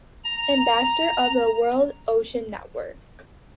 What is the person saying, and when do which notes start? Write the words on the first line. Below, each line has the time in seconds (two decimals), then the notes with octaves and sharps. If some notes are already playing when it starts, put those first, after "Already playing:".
Ambassador of the World Ocean Network.
0.24 A#5